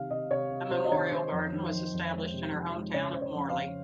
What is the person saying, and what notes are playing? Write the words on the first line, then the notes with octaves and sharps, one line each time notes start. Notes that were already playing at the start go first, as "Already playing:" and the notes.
A memorial garden was established in her home town of Morley.
Already playing: C3 D#3 F5
C3 D#5
C3 C#5
C3
C3 C5
D#5
D#3 C#5
D#3 C5
F2
D#3
F2
F2
G#3
C3
F2
G#3
C#3 C#5
C#3 C5
C#5
F2
F5
C#3